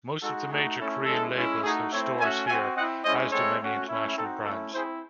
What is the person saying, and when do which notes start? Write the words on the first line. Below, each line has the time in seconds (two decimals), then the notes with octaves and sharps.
Most of the major Korean labels have stores here, as do many international brands.
0.22 G#3 D#4 F#4 A4
0.50 A3 D#4 F#4 G#4
0.78 A3 C#4 E4 A4
1.06 G#3 C#4 E4 A4
1.35 G#3 C#4 E4
1.63 A3 D#4 F#4 G#4
1.91 A3 C4 E4 C#5 E5
2.19 A3 C#4 F#4 E5 G#5
2.47 C4 F#4 E5 G#5
2.76 C4 E4 D#5 F#5
3.04 G#3 C#4 E4 C5 D#5
3.32 G#3 C4 E4 A4 C#5
3.60 A3 C#4 F#4
3.88 A3 C#4 E4
4.17 C4 D#4 F#4 A4
4.45 A3 C#4 E4 A4
4.74 C4 E4 G#4 C5